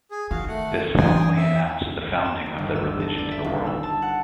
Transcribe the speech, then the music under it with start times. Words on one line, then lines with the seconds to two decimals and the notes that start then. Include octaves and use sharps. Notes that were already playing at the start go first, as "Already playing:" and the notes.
This formally announced the founding of the religion to the world.
0.11 G#4
0.31 D#3 F#4 F5
0.48 A3 F#5
0.97 E3 G5 G#5 D#6
1.36 E5
2.25 E7
2.46 D#3
2.58 G1
2.76 E6
3.00 A4
3.18 D5
3.31 E5
3.44 D#1
3.66 E6
3.83 A5
4.02 F#5